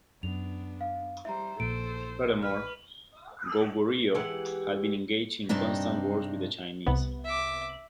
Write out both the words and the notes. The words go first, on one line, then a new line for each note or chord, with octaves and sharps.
Furthermore, Goguryeo had been engaged in constant wars with the Chinese.
F#2 B3 D4 F7
F5
G3 C5 E5 A#5
A#1 A#2 A4 C5 D7
B4 F6
E3 G#3 G4 F#5
G2 C3 C4 D4 D#4
C2 C3 B3
E5 D6